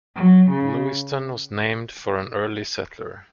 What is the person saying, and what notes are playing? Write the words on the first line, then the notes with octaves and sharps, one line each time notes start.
Lewiston was named for an early settler.
F#3
C#3